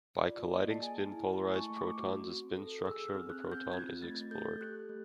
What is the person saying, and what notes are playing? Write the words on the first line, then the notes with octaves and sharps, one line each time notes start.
By colliding spin-polarized protons, the spin structure of the proton is explored.
F4 D5
A#3 D#5
A5
G#4 G#5
E4 G#5
A5
A3
C#6
A3
D6
F#4
C4
A4
G#4 E6
F6
C4
F#6
C4
G6
F4 G#6
A3 A6
A4 G6
G4 F#6
A3